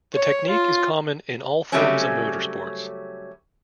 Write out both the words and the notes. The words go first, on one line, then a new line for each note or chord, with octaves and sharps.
The technique is common in all forms of motorsports.
C#5
F4
C#3 F#3 G3 A3 C4 C#4